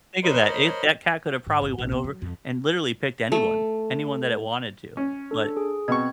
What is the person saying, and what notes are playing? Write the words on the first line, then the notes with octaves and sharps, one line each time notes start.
think of that. If that cat could have probably went over and literally picked anyone. Anyone that it wanted to, but
A#4 C5 C#5 D#5 B5 C6
G#2
G#1
A#1
B3
F#3
F2
A3
C#4
D4 A4
G#4
B2 C4 C#6 G#6